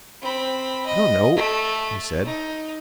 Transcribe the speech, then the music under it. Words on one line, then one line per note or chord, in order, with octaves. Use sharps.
"I don't know," he said.
C4 B5
D#5
A3
D#4